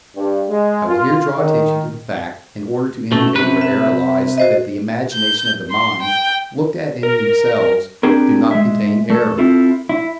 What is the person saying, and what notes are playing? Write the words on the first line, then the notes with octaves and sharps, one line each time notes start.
I will here draw attention to the fact, in order to indicate where error lies, that the imaginations of the mind, looked at in themselves, do not contain error.
G2
G#3
F4
D#3
B2 A3 C#4
C3 B4
E5
F#4 C5 D#5
G6
C6
G5
A#4
C4 D4 G4 G#4 A#4
G#3 E5
A3 A4
C4 E4 F4 A4
E4